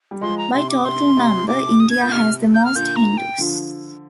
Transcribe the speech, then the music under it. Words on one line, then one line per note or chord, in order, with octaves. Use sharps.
By total number, India has the most Hindus.
G3
F3 G#3 C6
A#5
C3 C6
D6
C3 C6
C3
C3 D6
D#6
G#6
A#2 G6
C3 F6
G6
F6
A#2 D3 G6
A#5
G5
D3 F3